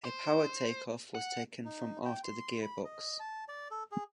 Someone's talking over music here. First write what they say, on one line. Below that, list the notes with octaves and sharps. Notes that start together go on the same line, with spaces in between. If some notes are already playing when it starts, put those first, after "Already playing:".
A power take-off was taken from after the gearbox.
C5
F#5
D#4
G5
C6
B5
D#5
A5
D5
A4
G#4